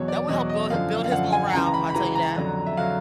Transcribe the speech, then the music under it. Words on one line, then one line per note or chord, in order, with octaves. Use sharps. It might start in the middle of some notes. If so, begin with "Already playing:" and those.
That will help build build his morale, I'll tell you that.
Already playing: E2 B2 F#3 C#5
D5
E2 B2 F#3 D#5
D#5
F#2 D3 F3 F5
F5
F#2 D3 F3 F#5
G#5
C#2 C#3 E3 A#5
A#5
B5
B5
C#2 C#3 E3 A#5
A#5
F2 D3 F#3
E5
D3 F#3 F5